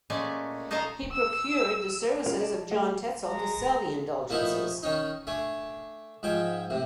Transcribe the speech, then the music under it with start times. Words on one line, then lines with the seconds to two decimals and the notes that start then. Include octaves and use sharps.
He procured the services of John Tetzel to sell the indulgences.
0.10 A#2 G#3 A3 C#4 D5 G#5
0.71 D#4 A4 C#5 D#5 F5 A#5
1.13 E6
2.26 A#3 C#4 F4 G4 A#4 F#5
2.40 G#4 D5 D#5 F#5 A5
2.71 A3 G#4 D#5 F#5
3.28 G#3 A#5
4.30 A#2 F3 A3 B3 D#4 E4
4.83 D#3 C#4 D#4
5.27 A3 D4 G#5
6.23 G#2 F3 G5 G#5
6.70 A2 C3